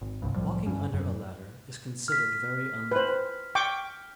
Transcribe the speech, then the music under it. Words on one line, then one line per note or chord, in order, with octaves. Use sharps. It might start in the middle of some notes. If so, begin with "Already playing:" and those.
Walking under a ladder is considered very unlucky.
G#1
G1 C2 G2
C2 A2 F3 G3
F#1 G2 C#4
F#2
F6 B6
B4 C5
G5 C#6 D6